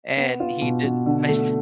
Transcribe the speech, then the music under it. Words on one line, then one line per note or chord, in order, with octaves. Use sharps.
And he did my s
B3
F4
B2
B2
D3
A3